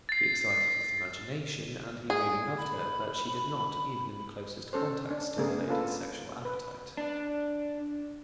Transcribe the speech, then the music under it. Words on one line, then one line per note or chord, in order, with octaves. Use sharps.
She excited his imagination, and he really loved her; but she did not, even in the closest contact, stimulate his sexual appetite.
A6 C7
G#4
B5
C#4 A4 C5
D4
C#3 A3 B3 G#4 A#4
A#3 C#4 F4 A4 B4
B4
D4